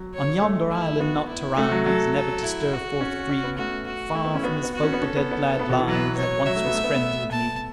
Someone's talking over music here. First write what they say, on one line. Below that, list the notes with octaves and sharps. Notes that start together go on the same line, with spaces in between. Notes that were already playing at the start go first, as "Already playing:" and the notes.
On yonder island, not to rise, Never to stir forth free, Far from his folk a dead lad lies That once was friends with me.
Already playing: F#3
C#5
A3
E4
B3 F#4
E4
A3 F#4
F#3
F#3 A4
A4
E4
F#4
C#4
C#4
B3
A3 F#4
F#4
A3 E4
B3
C#4
B3 F#4
B3
F#4
C#4
B3
C#4 A4
B3
B3
B3
B2
E3
F#3 B4
C#5
F#3 E5
A3
B3
A3
B3
B3
A5